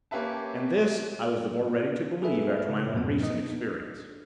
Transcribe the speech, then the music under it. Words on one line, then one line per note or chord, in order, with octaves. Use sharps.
And this, I was the more ready to believe after my own recent experience.
A#3 C#4 G4 B4 E5 A5
G#4 A4 B4 E5
C#3
F2 G#2 B2 F#3 C4
A#3 B3 D#4 D#5
D4